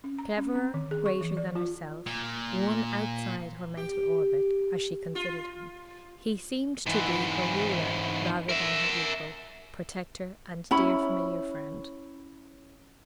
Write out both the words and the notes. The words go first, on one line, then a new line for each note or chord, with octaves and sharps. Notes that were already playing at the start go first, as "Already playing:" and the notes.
Cleverer, greater than herself, one outside her mental orbit, as she considered him, he seemed to be her ruler rather than her equal, protector, and dear familiar friend.
C#4
A#5
C#4
C4
D#3
G#4
C#6
E3
D5
F4
A#2
G4
F4
G#2 E3
A#4 E5
C#4 E4 B5